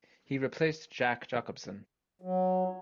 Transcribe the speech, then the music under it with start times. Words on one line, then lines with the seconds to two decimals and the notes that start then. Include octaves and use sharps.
He replaced Jaak Jakobson.
2.22 F#3